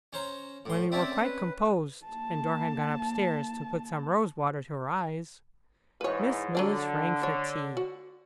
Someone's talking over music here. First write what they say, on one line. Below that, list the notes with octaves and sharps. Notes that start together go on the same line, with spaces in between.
When we were quite composed, and Dora had gone up-stairs to put some rose-water to her eyes, Miss Mills rang for tea.
C#4 C5 A#5
A2 C6
C4 C#4 D5 E5 G5
B4
A#3 A5
G#2 E3 B4 C#5
D3 F#3 D4 D5
D4 C#5
F#4